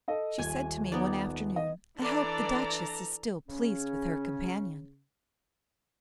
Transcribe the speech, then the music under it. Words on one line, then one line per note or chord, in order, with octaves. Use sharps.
She said to me one afternoon, 'I hope the Duchess is still pleased with her companion.
A4 D#5
D#1 G#5 G#6
B3 D#4 D5
D#5
E3 D4 A4 D5 A#5
C#3 C#4